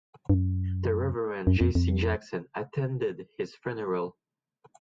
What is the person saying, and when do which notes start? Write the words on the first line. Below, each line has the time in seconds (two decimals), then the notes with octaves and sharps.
The Reverend Jesse Jackson attended his funeral.
0.30 G2
0.34 F#2
1.47 F#2
1.61 F2
1.75 F2